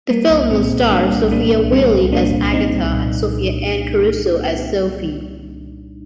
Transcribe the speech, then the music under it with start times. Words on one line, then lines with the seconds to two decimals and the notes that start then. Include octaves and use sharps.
The film will star Sofia Wylie as Agatha and Sophia Anne Caruso as Sophie.
0.10 G3 A#3
0.30 C2
0.51 A#2 C4
0.71 C2
0.91 G3 A#3 D4
1.12 C2
1.31 A#2 A#3 D4
1.52 C2
1.72 G3 C4
1.92 C2
2.12 A#2 A#3 D4
2.33 C2
2.53 G3 C4 D#4
2.74 C2
2.94 A#2